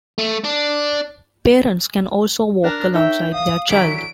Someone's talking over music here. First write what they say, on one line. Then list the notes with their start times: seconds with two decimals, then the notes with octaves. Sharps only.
Parents can also walk alongside their child.
0.18 A3
0.44 D4
2.64 D4 A#4 F#6
2.95 D#4 A#4 C#5 E5 G5
3.34 F5 D#6
3.70 D3 E3 F#3 B6 D7